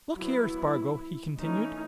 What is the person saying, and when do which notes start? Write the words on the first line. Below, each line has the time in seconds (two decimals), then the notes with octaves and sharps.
"Look here, Spargo," he continued.
0.16 F#3 B3 E4
1.39 E3 A3 C#4 D#4